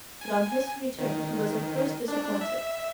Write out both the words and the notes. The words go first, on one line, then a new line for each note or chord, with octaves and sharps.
But on his return he was at first disappointed.
G#5
D#3
D4
E5